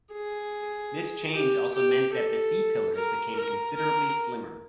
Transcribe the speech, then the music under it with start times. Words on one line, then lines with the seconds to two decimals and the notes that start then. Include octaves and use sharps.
This change also meant that the C-pillars became considerably slimmer.
0.13 G#4
1.33 G4
1.74 G4
2.13 A4
2.95 A#4
3.35 A#4
3.75 A#4